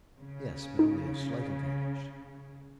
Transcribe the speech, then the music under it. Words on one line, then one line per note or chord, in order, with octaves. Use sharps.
"Yes, but only a slight advantage."
C#3
D#4